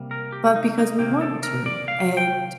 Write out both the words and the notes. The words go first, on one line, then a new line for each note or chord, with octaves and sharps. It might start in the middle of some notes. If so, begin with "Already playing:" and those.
but because we want to, and
Already playing: C3 G3 A#3
A#4
G4
D#4
D#4
C3 D#3 A#3 G4
A4
A#4
D5
F5
G5